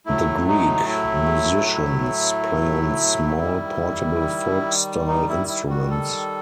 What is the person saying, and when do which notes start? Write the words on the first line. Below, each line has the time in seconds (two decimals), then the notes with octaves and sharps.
The Greek musicians play on small portable folk style instruments.
0.06 A2 F#3 A3 E4
0.48 D#4
0.89 E4
1.73 E4
3.40 D#3 G3
5.07 D#4
5.28 E4
5.48 E4
5.70 F#4
5.91 A4